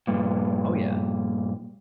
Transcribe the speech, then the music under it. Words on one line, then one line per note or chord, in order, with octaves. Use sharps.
Oh, yeah.
G2 A#2